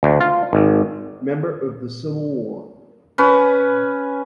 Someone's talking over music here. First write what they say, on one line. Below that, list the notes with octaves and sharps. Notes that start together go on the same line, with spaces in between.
Member of the Civil War.
D2
F4
G#1
C#4 B4